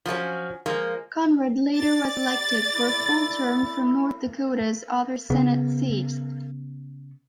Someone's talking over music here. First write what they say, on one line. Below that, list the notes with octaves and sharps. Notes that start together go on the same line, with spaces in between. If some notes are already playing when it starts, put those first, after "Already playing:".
Conrad later was elected for a full term from North Dakota's other Senate seat.
F3 F#3 A3 C#4
F3 G#3 A#3
D5 A6
E4
C#3 B3